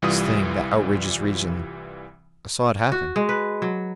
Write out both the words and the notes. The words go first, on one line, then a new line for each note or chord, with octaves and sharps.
This thing, that outrages reason--I saw it happen.
C2 E3 G3 F4 D#6
F#4
G#3
B4
F#3